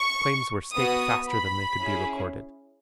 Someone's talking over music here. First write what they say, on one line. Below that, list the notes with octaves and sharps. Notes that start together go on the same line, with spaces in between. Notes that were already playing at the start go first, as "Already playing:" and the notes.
Claims were staked faster than they could be recorded.
Already playing: C#6
B3 F#4 D#6
B5
C#4 E4 G#4